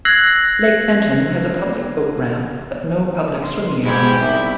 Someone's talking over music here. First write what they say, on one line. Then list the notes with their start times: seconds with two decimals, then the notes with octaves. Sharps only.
Lake Denton has a public boat ramp, but no public swimming areas.
0.05 E6 F#6 G#6 A#6 C7 F#7
3.42 C6
3.84 G#2 E4 G4 G#4
4.19 C2 E5